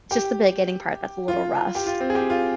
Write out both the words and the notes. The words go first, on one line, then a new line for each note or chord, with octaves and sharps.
Just the beginning part that's a little rough.
G4
F4
G4
F4
C4
G#4
G4
F4